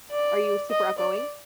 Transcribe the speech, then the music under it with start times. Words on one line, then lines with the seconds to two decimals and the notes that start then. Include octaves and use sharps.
Are you super outgoing?
0.12 D5
0.69 D#5
0.98 D5